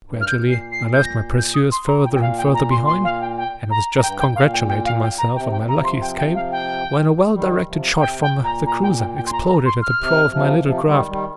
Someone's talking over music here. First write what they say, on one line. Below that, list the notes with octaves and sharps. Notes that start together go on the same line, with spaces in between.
Gradually I left my pursuers further and further behind, and I was just congratulating myself on my lucky escape, when a well-directed shot from the cruiser exploded at the prow of my little craft.
G2
F6
G6
A#2
C7
C7
G6
A#6
G6
D#6
C6
A#5
A#2 G5
G5
F5
G5
A#5
C6
C6
F5
G5
G5
A#5
A#5
G2 G5
G5
A#2 F5
G5
G5
F5
G5
A#5
C3 G5
G5
C3 F3 A#5
C6
G5
G5
F5
G5
D#3 G3
C3 F3
C3 G5
G5
A#2
A#5
A#5
G5
G5
G5
C6
A#5
A#5
C6
F6
C3
C3 F3
C3 F3
D#3 G3
D#3 G3